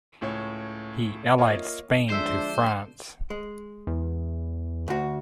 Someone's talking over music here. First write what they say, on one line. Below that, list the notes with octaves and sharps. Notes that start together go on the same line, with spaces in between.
He allied Spain to France.
C#2 A2 C#4 C#5
A#3 F4 C#5 D#5 E5
D3 F3 G#3 D4 C5 E5 E6 C7
G#3
E2
D2 F#4